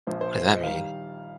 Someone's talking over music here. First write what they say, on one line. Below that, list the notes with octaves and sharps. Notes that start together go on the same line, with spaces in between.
What does that mean?
A#1 A#2 F3 C5
C5
C5
D#5
D#3 G3 F5